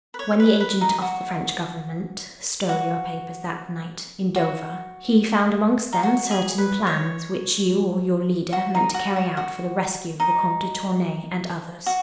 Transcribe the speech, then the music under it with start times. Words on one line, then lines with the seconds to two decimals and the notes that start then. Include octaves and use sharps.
When the agent of the French Government stole your papers that night in Dover, he found amongst them certain plans, which you or your leader meant to carry out for the rescue of the Comte de Tournay and others.
0.14 B4
0.19 C#5
0.40 B4
0.60 B4
0.81 D#4
1.02 F#4
2.69 F#4
4.36 F#4
5.93 D#4
6.03 F#4
6.31 G#4
6.58 B4
6.87 C#5
8.53 F#4
8.75 D#4
8.94 F#4
9.16 F#4
9.37 F#4
10.20 D#4
11.86 F#4